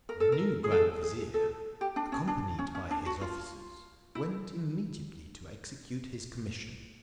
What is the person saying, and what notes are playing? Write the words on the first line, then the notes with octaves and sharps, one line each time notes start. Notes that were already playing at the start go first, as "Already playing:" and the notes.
The new grand vizier, accompanied by his officers, went immediately to execute his commission.
A#4
A4
A#4
G#4
A4
G#4
A4
G4
D4
C#4
D4
C#4
C#4
D4
F#4
F4
E4